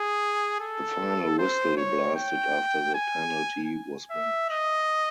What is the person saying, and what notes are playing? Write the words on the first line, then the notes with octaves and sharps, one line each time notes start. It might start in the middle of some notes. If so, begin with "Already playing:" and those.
The final whistle blasted after the penalty was made.
Already playing: G#4
A4
C5
C#5
G5
G#5
E5
D#5